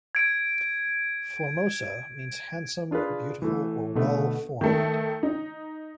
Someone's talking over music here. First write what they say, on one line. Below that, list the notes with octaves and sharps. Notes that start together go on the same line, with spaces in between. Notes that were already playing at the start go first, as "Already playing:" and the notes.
"Formosa" means 'handsome', 'beautiful', or 'well-formed'.
G#6 D7
D4 F4 G#4 B4
E3 A3
B2 D3 A3 B3
D#3 A3
D#4